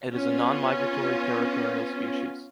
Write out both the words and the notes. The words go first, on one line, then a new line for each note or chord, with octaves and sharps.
It is a non-migratory territorial species.
B3 C#4 F4